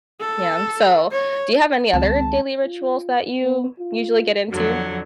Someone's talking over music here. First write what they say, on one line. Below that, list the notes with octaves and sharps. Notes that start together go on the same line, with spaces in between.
Yeah, so, do you have any other daily rituals that you usually get into
A4
C#5
C#2 D#3 G#3 C4 A5
F4
B3
F4
F2 D3 F#3 F#4